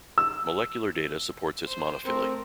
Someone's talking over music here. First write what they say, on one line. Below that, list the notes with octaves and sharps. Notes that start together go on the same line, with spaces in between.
Molecular data supports its monophyly.
E6
C5
A3 C4 A#4